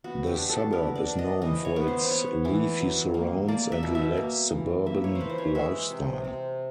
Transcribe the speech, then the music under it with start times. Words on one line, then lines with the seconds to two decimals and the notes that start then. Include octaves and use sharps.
The suburb is known for its leafy surrounds and relaxed suburban lifestyle.
0.04 B3 F#4
0.27 G4
0.38 D4
0.49 A4
0.73 B3 A#4
0.96 D5
1.07 D4
1.19 D#5
1.42 E3 D#5
1.65 C#5
1.76 B3
1.88 C5
2.10 B3 C#5
2.45 E3
2.79 F#3
3.14 A#3
3.48 A#3 D5
3.72 E5
3.83 B2
3.95 E5
4.17 A#3
4.52 E3
4.86 A#3 E5
5.04 C#5
5.15 C5
5.21 E3 B4
5.30 C5
5.38 C#5
5.55 G#3 E5
5.90 C3
6.24 C3